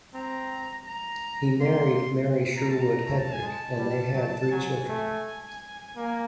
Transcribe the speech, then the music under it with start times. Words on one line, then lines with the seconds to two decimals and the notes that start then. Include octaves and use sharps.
He married Mary Sherwood Hedrick and they had three children.
0.14 C4 A#5
0.87 A#5
1.60 A#3 C6
2.57 A#5
2.69 A5
2.81 A#5
3.05 A3 A#5
3.19 A5
3.32 G#5
3.42 G#3 A5
3.78 G3
4.15 F#3
4.40 A5
4.51 F#3 G#5
4.88 A3
5.97 A#3